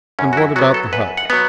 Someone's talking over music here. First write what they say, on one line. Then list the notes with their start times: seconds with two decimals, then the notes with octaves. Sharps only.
"And what about the hut?"
0.19 F#2 C#4
0.33 F#4
0.37 E4
0.56 F#3 F#4
0.59 B3
0.74 A4
0.93 F#2 B4
1.17 F#5
1.30 F#3 B3